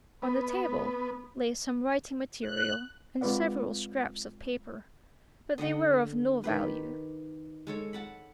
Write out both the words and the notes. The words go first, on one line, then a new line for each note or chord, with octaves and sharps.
On the table lay some writing material and several scraps of paper, but they were of no value.
B3
F#6
G#3 C4 F4 B4 D5 F#5
D3 D#5 F#5 G5
D#3 G4 B4
G#3 A4 C#5
F#5 A5 B5